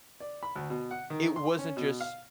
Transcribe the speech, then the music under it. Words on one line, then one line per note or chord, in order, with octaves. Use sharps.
it wasn't just,
D5
B5
D2
B2
F#5
D#3
C6
C#4
B2
F5